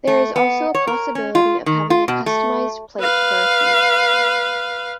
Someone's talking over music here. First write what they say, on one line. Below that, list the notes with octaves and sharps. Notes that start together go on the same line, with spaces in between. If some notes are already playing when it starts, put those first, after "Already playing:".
There is also a possibility of having a customized plate for a fee.
A3
B3
C#5
A#4
C#4
F4
D#3
F4
B2
A3
B4 F5